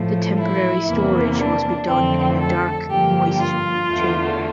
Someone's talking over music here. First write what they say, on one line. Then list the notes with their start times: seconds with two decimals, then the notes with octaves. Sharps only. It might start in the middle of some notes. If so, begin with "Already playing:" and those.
The temporary storage must be done in a dark moist chamber.
Already playing: A2 F3 A3
0.37 E4
0.87 E2 C3 E3 A#3
1.38 D4
1.88 F2 D3 A3 C4
2.39 A4
2.89 G2 D3 F3 A#3 G4
3.39 F4
3.90 E2 D3 A3